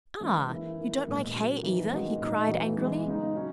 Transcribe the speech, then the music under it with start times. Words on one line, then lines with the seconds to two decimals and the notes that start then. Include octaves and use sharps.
"Ah, you don't like hay either?" he cried angrily.
0.20 E3 G#3 C#4
0.48 E3 A#3 E4
0.78 D#3 A#3 E4
1.06 A#2 G#3 B3
1.35 C#3 F#3 A#3
1.63 E3 B3 D#4
1.91 D#3 G#3 C#4 F#4
2.21 A#2 G#3 D#4
2.48 E3 B3 F#4
2.78 E3 G#3 B3
3.06 C#3 G#3 D#4
3.35 F#3 C#4